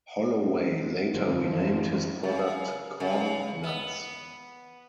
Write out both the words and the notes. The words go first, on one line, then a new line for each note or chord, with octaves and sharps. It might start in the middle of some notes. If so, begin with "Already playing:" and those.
Holloway later renamed his product CornNuts.
C4
G1 F2 F3
F#2 E3
C#3
C#3
B3